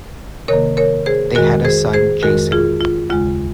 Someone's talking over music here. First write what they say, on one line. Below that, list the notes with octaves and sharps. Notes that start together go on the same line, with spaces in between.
They had a son, Jason.
C3 D#3 A#3 A#4 C#5
A#4 C#5
G#4 C5
F2 D#3 G#3 F#4 A#4
G#4 C5
G#4 C5
F2 D#3 G#3 F#4 A#4
F4 G#4
F4
D#2 C#3 G#3 F4